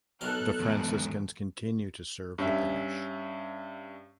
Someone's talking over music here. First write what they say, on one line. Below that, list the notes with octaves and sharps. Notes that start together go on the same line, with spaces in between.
The Franciscans continue to serve the parish.
B1 B2 A4 A#4 F#6
E2 G#2
G2 C#4 E5